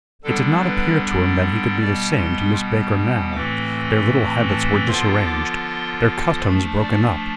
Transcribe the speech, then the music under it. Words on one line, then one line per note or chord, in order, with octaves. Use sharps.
It did not appear to him that he could be the same to Miss Baker now; their little habits were disarranged, their customs broken up.
D3 G3 B3 D4 A4
B4
B2 G3 B3 D5
C6
A2 E3 A3 C4 D6
A5
D3 F3 B3 F4 C6
D6
C6
F3 A3 D4 B5
D5